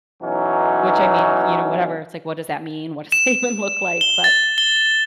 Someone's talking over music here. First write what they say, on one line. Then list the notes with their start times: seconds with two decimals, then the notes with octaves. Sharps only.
Which I mean, you know, whatever, it's like, "What does that mean? What does it even look like?" But,
0.23 B1 E3 F#3 C#4 D#4
3.12 E7
4.01 G7
4.24 A6
4.58 G7